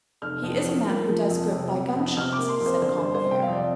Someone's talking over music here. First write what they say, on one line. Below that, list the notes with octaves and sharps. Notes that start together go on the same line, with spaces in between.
"He is a man who does good by gun-shots," said Combeferre.
F1 F6
F2
F3
A#3
F3
F2
C3
C3
F2
C3 F6
D6
A#3
C6
F2
C5
G1 C5
G3 C5
C5
C3
G5
F2 F5
D5